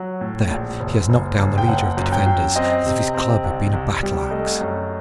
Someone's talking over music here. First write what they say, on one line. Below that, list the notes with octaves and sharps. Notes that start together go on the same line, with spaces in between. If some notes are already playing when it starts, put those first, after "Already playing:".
There, he has knocked down the leader of the defenders as if his club had been a battle-axe.
Already playing: F#3
A2
A#1
F#1
F#1
F#1
G5
F#1 F#5
F#2
G5
F#2
C4 D#5
C3
C4
C2
C2
G3
A3 D#5
F#2